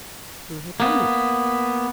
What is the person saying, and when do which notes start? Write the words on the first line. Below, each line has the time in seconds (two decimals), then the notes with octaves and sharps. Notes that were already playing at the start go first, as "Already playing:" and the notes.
Who had done it?
0.80 A#3 B3